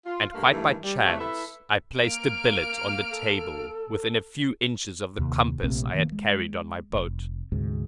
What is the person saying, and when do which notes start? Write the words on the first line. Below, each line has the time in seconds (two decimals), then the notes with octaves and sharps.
And quite by chance I placed the billet on the table within a few inches of the compass I had carried on my boat.
0.05 F4
0.33 G2 A3 A#3 F5
0.52 G2 D#3 E3 A3
0.83 G3
1.04 C3 E3 A3
1.19 E4 A4 B4 E5
1.98 A#3 F6 D7
3.10 A4
5.19 D#2 C3
5.63 A#1 C3 A3 C4
5.94 D#3 E3 A#3
6.12 G#3
6.93 F1
7.52 D2 G#2 C3